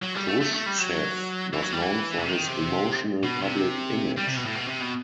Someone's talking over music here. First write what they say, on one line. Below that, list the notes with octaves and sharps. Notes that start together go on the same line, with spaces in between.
Khrushchev was known for his emotional public image.
F#3
G3
A3
A3
A3
G3
F#3
E3
F#3
G3
E3
C3
D#3
C3
B2
C3
G3
C3
B2
A2
B2
C3
B2